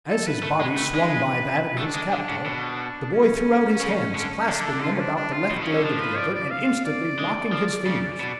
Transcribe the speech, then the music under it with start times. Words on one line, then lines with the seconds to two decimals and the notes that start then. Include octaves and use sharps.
As his body swung by that of his captor, the boy threw out his hands, clasping them about the left leg of the other and instantly locking his fingers.
0.09 A4
0.27 B4
0.43 A3
0.61 G#3
0.77 A3
0.95 G#3
1.78 A3 D4
1.95 G#3
2.13 D3
2.29 C#3
2.46 B2
3.13 C#4
3.81 C#3
4.15 D3
4.49 D3 D4
4.66 D4
4.83 F4
4.94 C#4
4.99 D4
5.16 D4
5.33 F4
5.51 B2
5.61 C#3
5.67 C#4
5.72 D3
5.84 F3 D4
6.00 B4
6.17 D5
6.34 D5
6.51 F5
6.85 D5
7.19 G#3
7.52 F3
7.86 C#3
8.20 B2